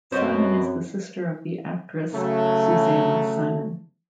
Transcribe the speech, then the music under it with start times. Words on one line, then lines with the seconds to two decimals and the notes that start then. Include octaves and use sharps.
Simon is the sister of the actress Susanna Simon.
0.12 F#2 B2 C4 C5 C#5 D#5 B5
2.13 C#3 F#3 A3